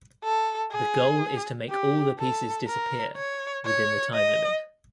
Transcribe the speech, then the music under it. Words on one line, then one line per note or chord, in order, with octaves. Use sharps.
The goal is to make all the pieces disappear within the time limit.
A4
G#4
G4
A4
A#4
C#5
C#5
D#5